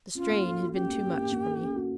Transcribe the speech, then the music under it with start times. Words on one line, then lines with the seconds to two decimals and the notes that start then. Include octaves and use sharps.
The strain had been too much for me.
0.15 C#4 F4
0.30 A#3
0.44 A4
0.59 F#4
0.74 C#4 G4
0.89 A#3
1.03 C#4
1.17 A#3
1.32 A#3
1.47 A4
1.61 C#4
1.76 F#4